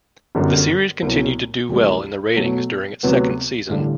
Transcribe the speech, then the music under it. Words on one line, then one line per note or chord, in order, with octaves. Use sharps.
The series continued to do well in the ratings during its second season.
G1 F#2 D3 G3
C2 B2 F#3
D2 C3 E3 G3
B2 F#3 A3
D2 C3 F#3 B3
A1 G2 D3 G3